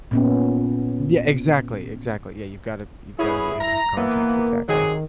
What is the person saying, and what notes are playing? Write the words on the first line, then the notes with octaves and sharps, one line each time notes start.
Yeah, exactly, exactly. Yeah, you've gotta you've gotta be able to have context, exactly.
A#2 B3 C#4
B3 C#4 E4 G#4
A#5
E3 A#3 B3
C3 D#3 F#3 G#4